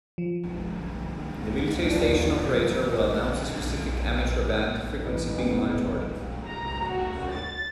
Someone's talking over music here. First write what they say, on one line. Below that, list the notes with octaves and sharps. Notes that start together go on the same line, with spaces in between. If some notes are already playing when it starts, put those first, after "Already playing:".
The military station operator will announce the specific amateur-band frequency being monitored.
F3
F3 D4
A1
E1 B3 C#4
A#5
F#4
A6